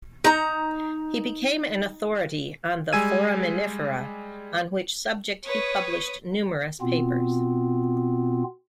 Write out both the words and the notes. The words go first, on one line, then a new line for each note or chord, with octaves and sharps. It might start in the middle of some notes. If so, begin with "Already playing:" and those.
He became an authority on the foraminifera, on which subject he published numerous papers.
D#4 A#5
G3 G#3 G#5 E6 G#6 D#7
B4 C#5 D#6
B2 B3 C4 F4